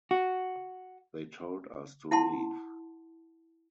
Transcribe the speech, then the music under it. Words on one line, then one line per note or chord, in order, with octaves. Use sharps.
They told us to leave.
F#4
E4 F#5 A5 C6